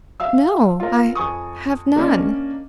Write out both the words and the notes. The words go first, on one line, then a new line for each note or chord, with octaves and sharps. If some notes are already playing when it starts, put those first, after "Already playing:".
"No; I have none."
E5 F5 E6
F4 A#4
F2 G#5 C#6 D#6
A#3 C#4 D4 D#5